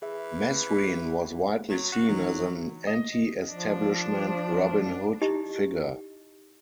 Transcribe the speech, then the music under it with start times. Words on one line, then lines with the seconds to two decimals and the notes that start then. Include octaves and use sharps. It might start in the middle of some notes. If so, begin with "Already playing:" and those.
Mesrine was widely seen as an anti-establishment 'Robin Hood' figure.
0.02 E3 G#4 E5
1.69 F#3
1.92 F#4
2.09 E3 F#3 D#4
2.87 D#5
3.50 F3 D4
5.22 D#4 E4 G4 D#5